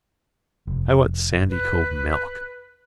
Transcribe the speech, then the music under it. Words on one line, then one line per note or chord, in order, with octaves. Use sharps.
I want Sandycove milk.
F1
B4